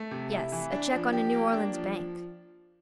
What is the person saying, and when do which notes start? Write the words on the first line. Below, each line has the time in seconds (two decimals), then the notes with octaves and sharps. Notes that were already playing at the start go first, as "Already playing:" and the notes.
"Yes, a check on a New Orleans bank."
Already playing: A3
0.11 C3
0.32 E4
0.52 E3
0.72 D4
0.92 F3
1.13 G4
1.33 A#3
1.53 D4
1.73 F3